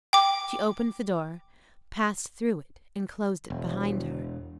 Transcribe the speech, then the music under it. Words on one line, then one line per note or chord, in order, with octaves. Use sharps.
She opened the door, passed through it, and closed it behind her.
G5 D6
E1